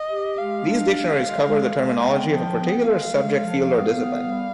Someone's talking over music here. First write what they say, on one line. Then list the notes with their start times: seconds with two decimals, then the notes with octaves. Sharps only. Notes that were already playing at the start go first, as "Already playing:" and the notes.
These dictionaries cover the terminology of a particular subject field or discipline.
Already playing: D#5
0.10 G4
0.37 G#3 F5
0.65 D4
0.91 G#3
1.20 G#3
1.46 G#3
1.74 G#3
2.00 B3 G5
2.28 F3
2.55 B3
2.82 G#3 F5
3.09 G#3
3.37 F3
3.64 B3 F5
3.93 B3
4.19 G3